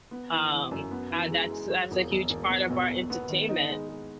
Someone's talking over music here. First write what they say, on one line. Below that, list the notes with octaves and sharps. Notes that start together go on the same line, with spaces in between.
um, uh, that's that's a huge part of our entertainment,
B3
E3
E3
F#2
B3
E3
G#3
G#3
F#3
E1
E1
E1
B2
B1
B1
B3
D#3
D#4
G#3
G#3